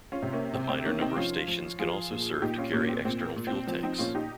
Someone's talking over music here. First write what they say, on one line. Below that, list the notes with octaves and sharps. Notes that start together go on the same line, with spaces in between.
A minor number of stations can also serve to carry external fuel tanks.
C#4 F4
C3
A#3 C#4
C3 C4
C4
D#3 A#3 C#4
C4 D#4
F3 C#4 F4
F3
F3 F4 G#4
A#2
A#2 D#4 G4
C#4 F4
A#2 A#3 C#4
C4
A#2 C4
A#3
A#2
C4
F3 C4
C4 D#4
A#2 C#4 F4
D#4 G4